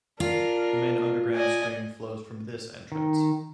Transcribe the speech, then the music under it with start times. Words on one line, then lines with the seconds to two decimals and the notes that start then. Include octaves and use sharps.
The main underground stream flows from this entrance.
0.20 D4 F4 A#4
1.35 D5 D#5 G#5
2.92 D#3